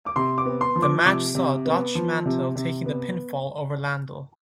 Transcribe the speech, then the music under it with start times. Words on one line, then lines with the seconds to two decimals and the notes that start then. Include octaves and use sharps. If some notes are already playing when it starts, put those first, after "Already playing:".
The match saw Dutch Mantell taking the pinfall over Landel.
0.06 D6
0.16 C3 C6
0.38 D6
0.45 B3
0.61 C6
0.76 F3
0.82 D6
1.05 C3 D6
1.35 C3
1.65 B3
1.95 F3
2.26 C3
2.56 C3
2.86 B3